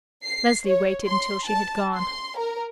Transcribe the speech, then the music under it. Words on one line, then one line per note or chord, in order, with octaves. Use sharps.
Leslie waited until she had gone.
C7
C#5
C6
A5
C6
A#4